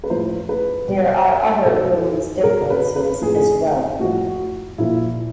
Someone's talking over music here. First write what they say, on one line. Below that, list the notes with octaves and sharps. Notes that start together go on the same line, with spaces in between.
There are other rules differences as well.
B4
A2 F3 C5
B4
B2
B2 A4
B2 A#4
B4
B4
A2 F3 G#4
A2 F3 F#4
A#2 F3 E4